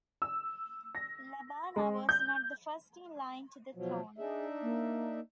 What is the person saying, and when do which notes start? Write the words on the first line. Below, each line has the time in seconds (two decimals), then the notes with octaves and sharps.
Labarna was not the first in line to the throne.
0.22 E6
0.95 A#6
1.76 G#3
2.09 G6
3.74 B2 F3 F#3
4.18 D4 D#4 G#4 E5
4.62 A#3